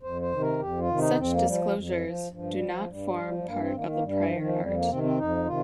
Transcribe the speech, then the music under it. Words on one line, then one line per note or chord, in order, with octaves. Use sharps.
Such disclosures do not form part of the prior art.
F2 C5
C5
C3 D#3
A#4
F2 G4
F4
C3 D#3
D#4
F2 C4
A#3
F3 G3
F2
F3
G2 F3
G3
F3
G2 G3
F3
G3
G2 A#3
C4
D#3 A#3
A#3
G2 G3
F3
D#3
F3
F2 G3
A#3
C3 D#3 C4
C4
F2 D#4
C3 D#3 F4